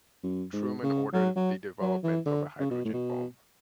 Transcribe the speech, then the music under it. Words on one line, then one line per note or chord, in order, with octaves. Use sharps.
Truman ordered the development of a hydrogen bomb.
F#2
G#2
C#3
F#3
F#3
F#3
E3
D3
C#3
B2
A2
B2